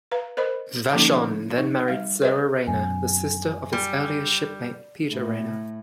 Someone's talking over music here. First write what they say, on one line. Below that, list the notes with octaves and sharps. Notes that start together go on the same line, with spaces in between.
Vashon then married Sarah Rainier, the sister of his earlier shipmate Peter Rainier.
B4 F5 A#5
A#4 C5 D#5 B5
D3 F3 A#3 C#4 D#4
D#4
G3 F5
B4 D#5
F#2 B2 G#5
G3
A2